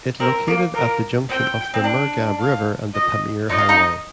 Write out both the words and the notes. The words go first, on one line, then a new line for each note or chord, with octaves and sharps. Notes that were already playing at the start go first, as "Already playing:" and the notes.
It located at the junction of the Murghab River and the Pamir Highway.
C4 A#4
A#3
A#3 A#4
C4 G5
C4
D4
F5
D#5
D#4 D#5
F4
D#4